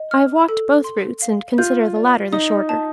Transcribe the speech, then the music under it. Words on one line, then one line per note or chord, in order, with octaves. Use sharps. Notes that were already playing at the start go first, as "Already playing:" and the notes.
I have walked both routes and consider the latter the shorter.
Already playing: D#5
F6
A4
C6
F5
F4 G6
D5
D#4 D#6
A5